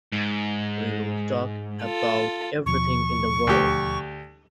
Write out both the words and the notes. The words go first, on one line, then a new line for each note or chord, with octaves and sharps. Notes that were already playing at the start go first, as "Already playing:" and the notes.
We will talk about everything in the world.
G#2
F4 A4
D#2 B2 F3 C#6
D2 G4